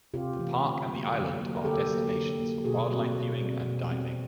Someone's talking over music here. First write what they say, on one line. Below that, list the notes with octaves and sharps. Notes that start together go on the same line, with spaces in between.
The park and the island are destinations for wildlife viewing and diving.
C3 F4 G4
E3 A3 C4
D3
F#3 A#3
D3
F#3 A#3
A#4
D3 G4 A4
F#3 A#3
D3
F#3 A#3
B2 F#4 G#4
G3 C4
B2
G3 C4
B2
G3 C4